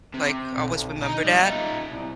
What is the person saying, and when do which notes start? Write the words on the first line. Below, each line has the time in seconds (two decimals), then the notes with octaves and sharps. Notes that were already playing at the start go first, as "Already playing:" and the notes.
like, always remember that
0.14 C3
0.57 B1
1.02 D#4 D#5
1.24 G3
1.39 D#4 F4
1.91 C2